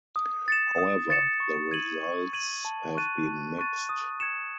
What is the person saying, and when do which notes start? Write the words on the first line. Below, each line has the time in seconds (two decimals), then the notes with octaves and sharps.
However, the results have been mixed.
0.16 D#6
0.48 A6 C#7 E7
0.78 D#6
1.10 A6 C#7 E7
1.40 C#6
1.71 G#6 D#7 F#7
2.03 C#6
2.33 G#6 D#7 F#7
2.65 A5
2.95 C#6 F#6 A6 D#7
3.27 A5
3.59 C#6 F#6 A6 D#7
3.89 D#6
4.20 G#6 C#7 E7